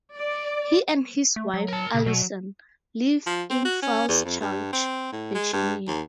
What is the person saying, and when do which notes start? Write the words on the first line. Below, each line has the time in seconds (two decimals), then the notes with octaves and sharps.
He and his wife, Alison, live in Falls Church, Virginia.
0.14 D5
1.36 A3
1.54 F#3
1.68 A#4 A5
1.95 A#2 C#3
2.06 B2 F#3
3.27 F3
3.50 C4
3.65 F#4
3.82 C#4
4.08 E2
4.25 F2
4.41 G2
4.73 C4
5.12 A2
5.34 G#3
5.53 G2
5.88 D#2